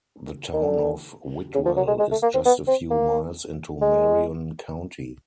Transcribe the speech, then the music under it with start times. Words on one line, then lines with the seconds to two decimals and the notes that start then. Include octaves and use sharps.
The town of Whitwell is just a few miles into Marion County.
0.53 D#3
0.62 D3
1.54 C#3
1.65 F3
1.76 F#3
1.87 G#3
1.99 G#3
2.11 A3
2.22 A#3
2.34 C4
2.45 B3
2.68 C4
2.90 A#3
3.81 G#3